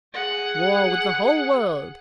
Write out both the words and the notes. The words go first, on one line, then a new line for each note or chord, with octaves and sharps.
War with the whole world!
G#4 F#5